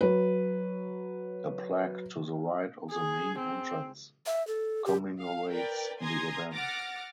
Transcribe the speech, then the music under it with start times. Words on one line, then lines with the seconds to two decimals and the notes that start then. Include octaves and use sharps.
A plaque to the right of the main entrance commemorates the event.
0.01 F#3 B4
2.91 G#4
3.38 C4
4.26 E5
4.47 A4
4.85 G4
5.20 F5
5.50 A#4 B4 D5 G5
6.01 G#5 A#5 C6 D#6 G#6 A#6
6.52 F#5 D6 F6 A6 A#6